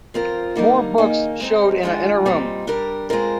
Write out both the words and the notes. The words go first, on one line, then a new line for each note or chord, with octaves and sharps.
More books showed in an inner room.
F3 C4 F4 A#4
D3 G3 A#3 D#4 A#4
D#3 A#3 D#4 G#4
G#3 C4 D#4
D#3 G#3 D4 F4 G#4
A#2 G3 C4 D#4
G3 D4 G4 A#4
G#3 C4 F4 A#4